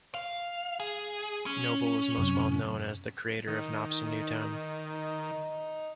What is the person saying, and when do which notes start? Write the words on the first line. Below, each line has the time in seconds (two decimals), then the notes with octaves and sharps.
Noble is most well known as the creator of "Nobson Newtown".
0.14 F5
0.80 G#4
1.46 C#4
2.18 F#2 C3 F#3
3.47 D#3 D#4